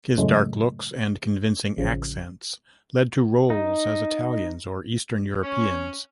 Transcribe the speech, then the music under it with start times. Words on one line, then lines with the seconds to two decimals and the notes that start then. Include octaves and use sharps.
His dark looks and convincing accents led to roles as Italians or Eastern Europeans.
0.18 F#2 A2 C#3 F#3 G#3 A3
1.77 A1 C#3 F3
3.50 D#4
5.43 C#4